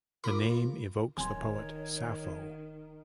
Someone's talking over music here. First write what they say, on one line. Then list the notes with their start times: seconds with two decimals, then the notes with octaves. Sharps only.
The name evokes the poet Sappho.
0.24 F4 A#4 B5 D6
1.18 D1 D#3 C#5 G#5 C6